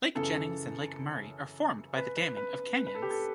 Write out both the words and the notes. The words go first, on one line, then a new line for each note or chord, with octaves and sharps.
Lake Jennings and Lake Murray are formed by the damming of canyons.
F#2 C#3 E3 A4
B4
B4
B4
B4
A4
G4
A4